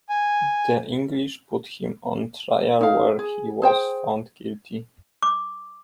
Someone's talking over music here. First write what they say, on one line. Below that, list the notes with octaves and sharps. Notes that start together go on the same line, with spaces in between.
The English put him on trial where he was found guilty.
G#5
D#4 F5
G#4
G#4 C5 G5
D6